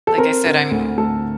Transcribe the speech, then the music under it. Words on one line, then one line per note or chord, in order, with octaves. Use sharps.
like I said, I'm
A4
C4 A#4
D3
D2
A3 A4